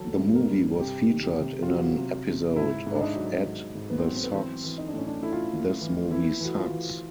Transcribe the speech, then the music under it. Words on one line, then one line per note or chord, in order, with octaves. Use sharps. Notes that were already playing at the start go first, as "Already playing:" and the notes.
The movie was featured in an episode of Ed the Sock's This Movie Sucks!
Already playing: D#3 F#3 A4
G2
A#4
G2
C3 G4
D#3
G4
C3
F4
F#3 F#4
C3
C3
G#2 E4
G#2
D4
D#4
F#3
G#2
G#2
B3
C4
F#3 B3
C4
B3
E3 C4
E3
D#4
D4
A2 C#4
D4
A2 E4
F4
E4
A2
E3
E3 E4
E3 F#4
F4
E3